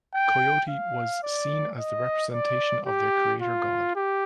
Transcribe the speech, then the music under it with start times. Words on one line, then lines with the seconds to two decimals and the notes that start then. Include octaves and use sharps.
Coyote was seen as the representation of their creator god.
0.14 G5
0.69 F5
1.23 D5
1.77 D#5
2.32 D5
2.86 G4
3.42 F4
3.95 G4